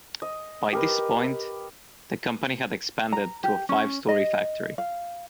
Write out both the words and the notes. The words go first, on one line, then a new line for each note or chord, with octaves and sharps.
By this point, the company had expanded to a five-story factory.
D#5
G4 A#4 B4
A#5
G4
C#4
D#5
F5